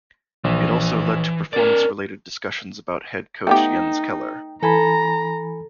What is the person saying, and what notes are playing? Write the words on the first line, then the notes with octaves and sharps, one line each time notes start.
It also led to performance related discussions about head coach Jens Keller.
A#1 E3
C#4 A#4 D5 A6
A3 B3 D#4 G4 G5
E3 A4 G#5 A#5 B5